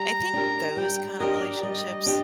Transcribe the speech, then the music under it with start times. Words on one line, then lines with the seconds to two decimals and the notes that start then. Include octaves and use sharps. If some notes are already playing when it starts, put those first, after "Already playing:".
I think those kinda relationships
Already playing: G3 A#5
0.33 D4 G4 A#4
0.77 G3 G5
1.20 D4 G4 A#4 D#5
1.41 D5
1.63 G3 D#5
2.06 D4 G4